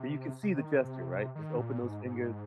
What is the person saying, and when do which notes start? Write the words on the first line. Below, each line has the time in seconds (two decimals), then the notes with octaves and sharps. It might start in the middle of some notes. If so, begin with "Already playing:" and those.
But you can see the gesture, right? Just open those fingers.
Already playing: C3
0.43 C3
0.58 D#3
0.74 C3
1.35 D#3
1.59 A#2
1.82 G#2
2.06 G#2